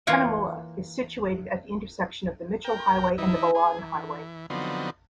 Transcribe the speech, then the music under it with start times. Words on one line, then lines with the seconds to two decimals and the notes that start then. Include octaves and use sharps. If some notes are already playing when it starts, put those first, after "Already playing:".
Cunnamulla is situated at the intersection of the Mitchell Highway and the Balonne Highway.
0.07 E3 A#3 F4 C#5 D5 F#5
2.65 A#4 G5
3.18 E3 D#4 E4
3.55 G#4
3.79 E3
4.50 D3 F3 F#3 B3 C4 D#4